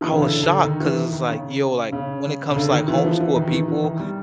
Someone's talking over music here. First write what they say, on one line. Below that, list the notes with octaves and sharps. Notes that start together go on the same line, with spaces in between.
I was shocked 'cause it's, like, yo, like, when it comes to, like, homeschool people,
E3
C#3
D3
D3
D#3
E3
D#3
C#3
C#3
C#3
D3
D#3
E3
F3
E3
D#3
E3
D#3
E3
D#3
G3